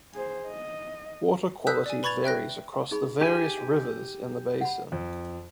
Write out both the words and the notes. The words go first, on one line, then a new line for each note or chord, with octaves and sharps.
Water quality varies across the various rivers in the basin.
G#4 C5
D#5
D#6 E6 F#6 G6 B6
D5 G#5
B4 B5 C#6 G#6 A6 F7
E5 G5 F#6 A#6
D#4 G#4 B5
D#4 G4 G#5
F#5 B5
F2